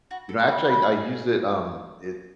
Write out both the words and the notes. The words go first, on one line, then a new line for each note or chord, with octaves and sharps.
you know, actually, I I used it, um, it
F#4
A4
A4
B4
B4
A4
G#4